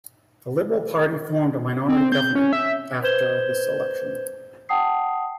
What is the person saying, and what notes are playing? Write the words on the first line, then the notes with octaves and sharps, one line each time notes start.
The Liberal Party formed a minority government after this election.
C4
G6
C#4
E5
B4 C5 G6 G#6 E7 G7
F#5 G5 A5 D#6 C7